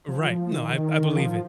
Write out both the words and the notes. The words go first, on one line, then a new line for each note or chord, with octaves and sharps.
Right, no, I b I believe it,
F3
F3
D#3
F3